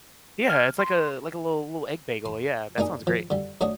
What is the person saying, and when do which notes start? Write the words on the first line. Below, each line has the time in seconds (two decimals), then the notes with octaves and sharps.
Yeah, it's like a, like a little little egg bagel, yeah, that sounds great.
0.50 F6
0.79 C6
2.26 C6
2.78 A#3 D4 D#4 G#4
3.07 F3
3.30 D3 G3
3.61 F#3 A3 D4 F#4 C#5 D#5